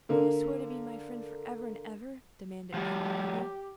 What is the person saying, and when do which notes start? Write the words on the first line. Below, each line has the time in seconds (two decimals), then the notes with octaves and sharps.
"Will you swear to be my friend forever and ever?" demanded Anne eagerly.
0.09 D3 A#3
2.74 F3 G3 G4